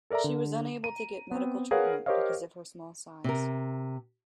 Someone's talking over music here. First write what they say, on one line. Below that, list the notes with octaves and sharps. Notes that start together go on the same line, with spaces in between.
She was unable to get medical treatment because of her small size.
A4 A#4 D5 E5 A#5
D3
A#5 D#7
B3 C4
G#4 A#4 B4 C#5 F5 F#5
G4 A#4 C5 C#5 D#5 F5
C3 A#4